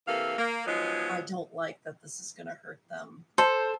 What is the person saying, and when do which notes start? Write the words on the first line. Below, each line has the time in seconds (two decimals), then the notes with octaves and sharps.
I don't like that this is gonna hurt them
0.08 C3 E3 A#3 A4 F5
0.39 A#3
0.67 F3 F#3 G#3 B3 D#4
3.38 A4 C5